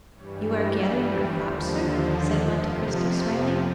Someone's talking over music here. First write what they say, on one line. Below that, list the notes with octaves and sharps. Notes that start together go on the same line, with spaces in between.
"You are gathering your crop, sir?" said Monte Cristo, smiling.
G2 E3 G3 C#5
D5
C#5
C5
D#2 D3 F3 C5
C5
F2 C3 F3 B4
A#4
C5